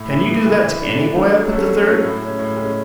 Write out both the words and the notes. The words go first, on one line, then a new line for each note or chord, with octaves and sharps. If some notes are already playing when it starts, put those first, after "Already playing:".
"Can you do that to any boy up at the Third?"
Already playing: A2
E3 B3
A2
E3 B3
E3
A3 D4
E3
A3 D4
F#3
A3 C#4 F#4 A4
F#3
A3 C#4 F#4 A4
A2
G#3 C#4
A2
G#3 C#4